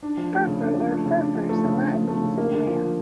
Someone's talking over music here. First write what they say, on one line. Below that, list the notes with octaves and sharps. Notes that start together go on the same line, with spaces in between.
'Furfur' or 'furfures' in Latin means "bran".
D4
F3
A3
C#3
D4
F3
A3
C#3
D4
F3
A3
C#3
D4
F3
A3
C#3
A#3
D3
F3